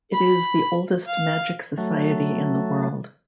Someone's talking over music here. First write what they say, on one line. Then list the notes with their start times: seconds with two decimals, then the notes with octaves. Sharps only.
It is the oldest magic society in the world.
0.14 B5
1.08 F5
1.78 F#3 A3